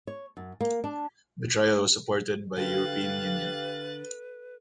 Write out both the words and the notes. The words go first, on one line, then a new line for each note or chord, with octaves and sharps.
The trial was supported by European Union.
C#5
F#2
A#3
D4
D3 G4 B4 F5 F#6 A6